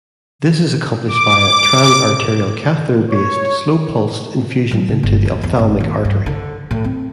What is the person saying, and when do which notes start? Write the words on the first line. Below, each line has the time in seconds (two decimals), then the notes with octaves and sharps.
This is accomplished via transarterial catheter based slow pulsed infusion into the ophthalmic artery.
1.08 D6
3.10 C#5
4.71 F#3
4.89 C#3
5.03 G1
5.25 D#2
5.43 E2
5.59 G#1
5.80 D#2
6.05 G2
6.26 D3
6.71 A2
6.84 C4